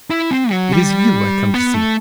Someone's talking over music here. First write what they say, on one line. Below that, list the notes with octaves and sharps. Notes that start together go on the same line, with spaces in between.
It is you I come to see.'
E4
C4
F#3
G3
B3
A3